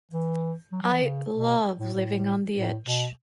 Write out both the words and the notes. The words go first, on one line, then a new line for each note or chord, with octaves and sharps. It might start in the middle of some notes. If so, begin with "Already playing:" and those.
I love living on the edge.
E3
F#3
F#3
E3
C#3
B2
A2
A2
A2
B2